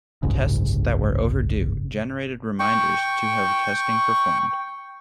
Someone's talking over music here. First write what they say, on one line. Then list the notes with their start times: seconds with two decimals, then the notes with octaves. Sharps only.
Tests that were overdue generated reminders to have testing performed.
0.23 F#1 C2 G#2 C#3
2.59 G5 C#6